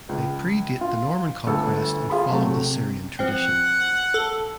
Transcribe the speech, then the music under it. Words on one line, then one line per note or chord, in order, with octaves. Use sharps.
They predate the Norman conquest and follow the Syrian tradition.
C#2
F4
G1 D2 A4 E6
F4 G#4 B5
C3 F#3 A3
C3
F3 C4 F#5
A4